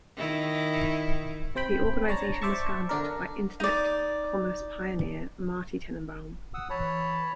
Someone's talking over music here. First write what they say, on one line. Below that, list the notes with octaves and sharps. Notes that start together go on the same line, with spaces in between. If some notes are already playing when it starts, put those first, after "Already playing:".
The organisation was founded by Internet commerce pioneer Marty Tenenbaum.
D#3 E4
C3 C4 C5 G5 B5
D4 C#5 A5 A#5
C5 D5 E5 A5 C#6
D3 D4 A#4
D#4 D5
F#5 D#6 E6
E3 C#5 A5 B5